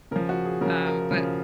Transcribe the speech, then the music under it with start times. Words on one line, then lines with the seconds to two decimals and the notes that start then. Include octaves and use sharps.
um, but
0.11 C#3 A#4
0.16 F3
0.29 F#4
0.45 G#4
0.61 C#3 A#4
0.66 F3
0.86 A#4
1.11 C#3 F3